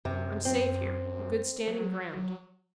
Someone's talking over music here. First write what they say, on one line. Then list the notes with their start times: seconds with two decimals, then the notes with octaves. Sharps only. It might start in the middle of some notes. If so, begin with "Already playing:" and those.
I'm safe here, on good standing-ground.
0.05 F#2 C3
0.45 C4
1.67 F#3